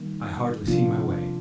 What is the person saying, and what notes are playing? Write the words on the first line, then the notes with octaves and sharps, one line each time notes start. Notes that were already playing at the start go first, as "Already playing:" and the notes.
I hardly see my way.
Already playing: D#3 G3 A#3
C3 F3 A#3 D4 F4